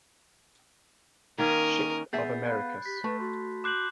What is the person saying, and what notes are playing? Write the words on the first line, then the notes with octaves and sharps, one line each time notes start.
Shipp of Americus.
D#3 A#3 C#4 A#4 D#6
B3 G#4 E5 G6 A6 C7
F5 B5 F#6
G4 B6
A3 B4 A5
F#4 C6
C6 D6 F#6 G6 C7 F#7